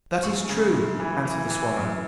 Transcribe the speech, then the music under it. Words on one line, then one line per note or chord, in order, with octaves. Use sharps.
'That is true,' answered the swallow.
F#2 C#6
C#3
F#2
E3
E3
E3
F#2